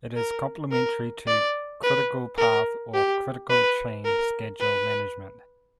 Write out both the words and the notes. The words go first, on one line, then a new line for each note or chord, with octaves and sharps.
It is complementary to critical path or critical chain schedule management.
A#4
A#4
D5
B4
A#4
G4
B4
A#4
B4